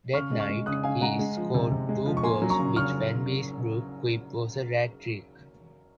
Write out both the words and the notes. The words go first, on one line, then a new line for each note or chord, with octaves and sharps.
That night, he scored two goals, which Vanbiesbrouck quipped was a rat trick.
C#3 C#6 F6
G#3
C#6 F6
G#3
C#3 D#6 F#6
C#3 F5 G#5
G#3 F#5 A#5
G#3
F3
C3
C3
G#3
F3
C#6
A#3 G#5 C6
F#3
A#5 C#6
C#3
C#3 C#6 F6